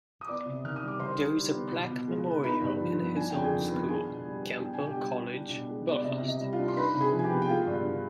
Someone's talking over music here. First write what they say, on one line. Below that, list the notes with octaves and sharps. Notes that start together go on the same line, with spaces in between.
There is a plaque memorial in his old school, Campbell College, Belfast.
D#6
B3 D5 D6
C3
D#3 F6
D#6
G3
D6
D#3 C5 C6
D#3
G3
B3
B2
B2
G#3
B3
D#4 B4 B5
G2
F3
B3
D4 G#5
F2 G5
G#4 G#5
D#3
B3
D4 G#4 G#5
B2
G3
B3
D4 G5
B2 G#5
G4 G5
G3
B3
D4
B2
G#3
B3
D5
C3 D#5
C3
D#5
G3
F4 F5
D4
C6
D#4 B4 B5
C3 B5
G#4 G#5
F3
G#5
G4 G5
B3
G5
G#3 F4 F5
G2
D3